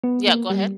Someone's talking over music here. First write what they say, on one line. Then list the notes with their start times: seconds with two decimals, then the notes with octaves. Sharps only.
Yeah, go ahead.
0.04 B3
0.27 A#3
0.50 G3